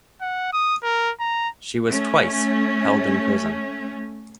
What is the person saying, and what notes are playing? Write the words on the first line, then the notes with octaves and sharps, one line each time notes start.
She was twice held in prison.
F#5
D#6
A#4
A#5
A3 C#4